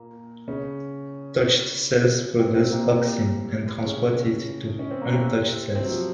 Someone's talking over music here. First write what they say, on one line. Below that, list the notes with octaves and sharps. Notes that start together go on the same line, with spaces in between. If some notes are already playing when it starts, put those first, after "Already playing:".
Touched cells produce auxin and transport it to untouched cells.
Already playing: A#2 A#3
C#3 C#4
C3 C4
C3 C4
A#2 A#3
C3 C4
C#3 C#4
C#4
C4
A#3
C3 C4
C3 C4
F#3
F3